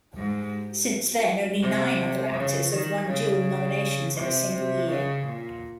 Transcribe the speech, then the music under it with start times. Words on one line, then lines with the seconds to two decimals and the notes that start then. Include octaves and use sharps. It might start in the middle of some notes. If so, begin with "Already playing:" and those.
Since then, only nine other actors have won dual nominations in a single year.
0.16 G#2
1.62 C3
2.34 C#3
2.71 D#3
3.07 C#3
4.16 C3
4.53 C3
4.89 C#3
5.26 A#2